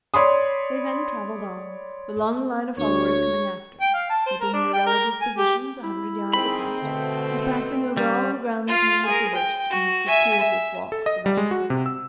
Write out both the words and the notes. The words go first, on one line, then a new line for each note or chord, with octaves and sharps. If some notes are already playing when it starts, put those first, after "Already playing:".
They then travelled on, the long line of followers coming after, keeping their relative positions a hundred yards apart, and passing over all the ground the King had traversed in his circuitous walks about the city.
C#5 D5 B5 C6 D#6
D2 C#5
G5
F5
A5
C5
A#4
D4
G5
A#4
G#5
G4
E4
D#3 C4 D#4 G#4 B5
B2 D3 A3
G3 C#4
F4 F5
G#4 A#4
G5
F#4
E5 G#5
E5
A4
D#5
G3
G#3
F#4
C3
E6